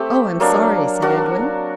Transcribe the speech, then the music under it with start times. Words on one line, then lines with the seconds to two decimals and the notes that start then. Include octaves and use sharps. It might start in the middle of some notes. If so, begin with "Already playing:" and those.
"Oh! I'm sorry," said Edwin.
Already playing: A3 C4 G4
0.40 F#3 A#3 D4
1.02 D4 F#4 A#4